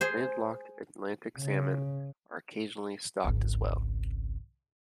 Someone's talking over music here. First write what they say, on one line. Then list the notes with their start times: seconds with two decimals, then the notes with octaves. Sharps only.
Landlocked Atlantic salmon are occasionally stocked as well.
0.01 G#4 C5
1.39 C#3
3.24 G#1 C#2